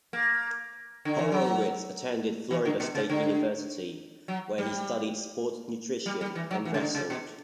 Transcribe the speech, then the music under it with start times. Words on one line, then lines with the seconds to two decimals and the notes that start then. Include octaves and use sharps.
Horowitz attended Florida State University, where he studied sports nutrition and wrestled.
0.13 A#3
1.05 D3
1.19 E3
1.32 F#3
2.51 E3
2.65 D3
2.80 B2
2.95 C#3
3.10 D3
4.28 F#3
4.58 G3
6.06 G3
6.21 G3
6.35 E3
6.51 F#3
6.65 E3
6.74 C#3
6.80 D3
6.95 C#3
7.10 B2